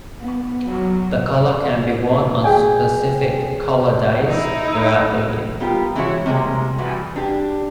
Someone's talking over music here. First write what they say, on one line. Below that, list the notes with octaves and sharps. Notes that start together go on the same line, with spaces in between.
The collar can be worn on specific 'Collar Days' throughout the year.
B3
F#3
G#4 G5 G#5
D#4 E4
G3 B3 F4 G4 A#4
E3 G#3 D4 E4 F#4 C#5
C3 G3 G#3 A#3
E3 G3 F#4 B4
D4 G4